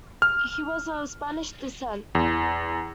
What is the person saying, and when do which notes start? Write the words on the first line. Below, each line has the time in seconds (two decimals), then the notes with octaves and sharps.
He was of Spanish descent.
0.22 F6
2.15 E2